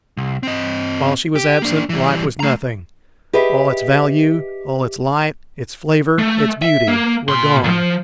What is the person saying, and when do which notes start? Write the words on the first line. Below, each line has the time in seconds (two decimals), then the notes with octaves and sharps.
While she was absent, life was nothing; all its value, all its light, its flavor, its beauty, were gone.
0.17 C2
0.43 C4 D#5
1.35 G4
1.62 A#3 D4
1.89 E3 G3
2.40 A3 A#5
3.33 G4 G#4 B4 D#5 E5
6.19 A3
6.62 E5
6.88 A#3
7.29 A#2 C6
7.64 D2 F3